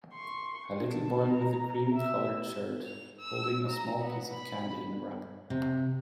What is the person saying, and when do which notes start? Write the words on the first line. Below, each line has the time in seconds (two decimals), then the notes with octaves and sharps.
A little boy with a cream colored shirt holding a small piece of candy in a wrapper.
0.13 C6 C#6
0.81 A5
1.32 A#5
1.94 E5 E6
2.86 F7
3.20 E6
3.69 A#5
4.02 B3
4.33 B5
5.50 C3